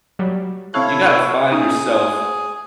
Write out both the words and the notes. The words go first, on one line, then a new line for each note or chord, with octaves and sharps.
You gotta find yourself
F#3 G3
C3 E4 A4 C#5 F5
C#4 D#4 G#4